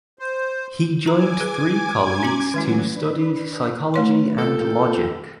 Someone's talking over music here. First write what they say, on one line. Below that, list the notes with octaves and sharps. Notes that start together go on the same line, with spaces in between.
He joined three colleagues to study psychology and logic.
C5
A#4 G#5 A#5 D6 G#6
G#4 B4
C#4 F#4 A#5
D#3 F#3 G#3 E4
D4 B4
A3 B4 C#5 C6
A#3 F4 A4 G5